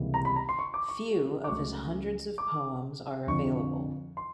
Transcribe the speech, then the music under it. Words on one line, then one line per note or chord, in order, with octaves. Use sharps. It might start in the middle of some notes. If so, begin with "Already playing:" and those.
Few of his hundreds of poems are available.
Already playing: C#2 C3 E3 G3 A#3
A#5
B5
A#5
C6
C#6
D6
C#6
D6
C#2 C#3 F#3 A3 C#6
D6
F2 D3 F3 C#6
C6